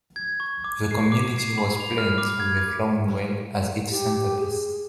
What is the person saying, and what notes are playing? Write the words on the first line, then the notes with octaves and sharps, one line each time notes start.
The community was planned with a flowing well as its centerpiece.
G#6
C#6
D6
C7
D6
C7
B5
F7
F6
D6
G#6
G4
G#4